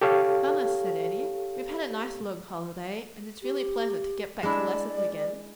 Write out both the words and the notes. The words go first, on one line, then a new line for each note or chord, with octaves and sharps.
"Mamma," said Eddie, "we've had a nice long holiday, and it's really pleasant to get back to lessons again."
G4 A4 C#5 F5
G4
G#3 D4 E4 D5